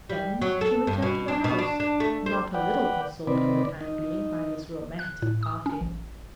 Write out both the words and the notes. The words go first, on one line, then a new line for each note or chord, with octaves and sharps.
Then she returned to the house, not a little consoled for the time being by this romantic parting.
G3
F#3
A4
G2
B2
D4
B2
D4
D4
A3
C5
B4 D5 F#5 G5
C3 D#3 C4 B4 D5
D#4
F#6
A2
D#6
C#4
A1